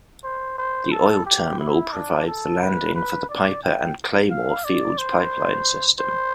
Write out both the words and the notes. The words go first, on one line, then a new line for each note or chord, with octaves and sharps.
The oil terminal provides the landing for the Piper and Claymore fields pipeline system.
C5
C5
A4
G4
E4
D4
A4
B4
B4
D5
G5
F5
D5
C5
C5